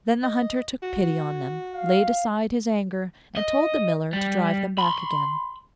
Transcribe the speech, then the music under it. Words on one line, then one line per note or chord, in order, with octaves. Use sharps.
Then the Hunter took pity on them, laid aside his anger, and told the miller to drive them back again.
D#5
F#4
F5
D#5
G3
B5 C6